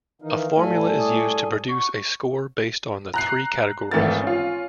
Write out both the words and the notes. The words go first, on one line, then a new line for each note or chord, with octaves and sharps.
A formula is used to produce a score based on the three categories.
D#3 E3 D#4 F5
A2 G3 A4 G#5
C#4 D4 G#4
F#4 C#6
A#5 F#6 C7
G#1 E3 A3 A#4 A6
C#4 F4